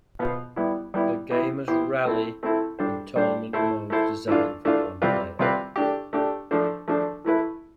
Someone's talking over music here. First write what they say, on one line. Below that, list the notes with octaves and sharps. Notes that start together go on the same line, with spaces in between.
The game has rally and tournament modes designed for one player.
B2 B3 F4 C5
G3 B3 E4
G3 B3 E4
E3 B3 E4 G4 C5
E3 B3 E4 G4 C5
A3 C4 E4 A4
A3 C4 E4 A4
G3 D4 A4 C5
G3 D4 A4 C5
A3 E4 A4 C5
A3 E4 A4 C5
E3 A3 D4 F4
E3 A3 D4 F4
C3 G3 C4 F4 B4
C3 G3 C4 F4 B4
A3 D4 G4
A3 D4 G4
F3 A3 D4 A4 C5
F3 A3 D4 A4 C5
E3 A3 E4 B4